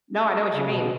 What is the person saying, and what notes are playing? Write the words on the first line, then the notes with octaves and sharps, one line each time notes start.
No, I know what you mean.
C#3
B2